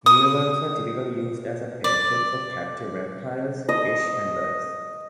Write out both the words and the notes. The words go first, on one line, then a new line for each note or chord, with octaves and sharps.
Mealworms are typically used as a pet food for captive reptiles, fish, and birds.
D#6
D5
D#5